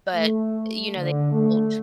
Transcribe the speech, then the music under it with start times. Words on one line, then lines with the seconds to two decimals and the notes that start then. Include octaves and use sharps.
but, you know, they mulch?
0.14 A3
0.97 D3
1.31 A3